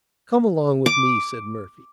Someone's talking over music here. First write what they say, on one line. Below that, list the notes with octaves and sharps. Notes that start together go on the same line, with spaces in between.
"Come along with me," said Murphy.
D6